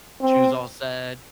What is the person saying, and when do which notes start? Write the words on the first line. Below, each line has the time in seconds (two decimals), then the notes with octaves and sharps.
she was all sad,
0.21 C4